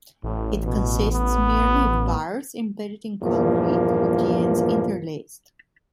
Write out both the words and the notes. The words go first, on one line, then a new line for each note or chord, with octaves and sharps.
It consists merely of bars embedded in concrete, with the ends interlaced.
A1 A2
B2
B3
E2 G2 A#2 F3 A#3